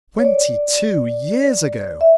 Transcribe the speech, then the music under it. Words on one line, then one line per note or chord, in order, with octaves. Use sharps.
Twenty-two years ago!
C#5
D5
E5